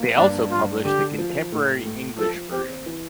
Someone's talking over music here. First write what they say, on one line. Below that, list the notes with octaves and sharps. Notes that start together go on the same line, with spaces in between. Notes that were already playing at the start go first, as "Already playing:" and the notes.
They also publish the Contemporary English Version.
Already playing: F3 A#3
G2 D4
G2 F4
D3 G4
F3
A2
A2
F3 A4
C4 G4
E3